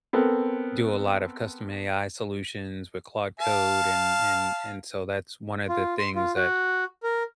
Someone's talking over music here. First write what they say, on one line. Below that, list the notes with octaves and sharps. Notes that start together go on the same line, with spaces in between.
do a lot of custom AI solutions with Claude Code and and and so that's one of the things that,
B3 C4 A4 A#4
F5 A5
F4
C6
F4
F#4
A#4